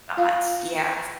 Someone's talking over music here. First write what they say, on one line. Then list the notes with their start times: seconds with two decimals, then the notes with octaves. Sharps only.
Thoughts yeah, s
0.17 F4 F5